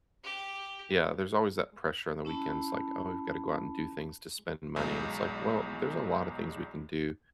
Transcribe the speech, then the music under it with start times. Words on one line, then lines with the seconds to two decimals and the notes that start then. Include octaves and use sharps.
Yeah, there's always that pressure on the weekends, like, "Oh, we've gotta go out and do things to spend money," and it's, like, well, there's a lot of things we can do
0.24 G4
2.25 C#4 E4 A5 B5
4.76 B1 E2 G#3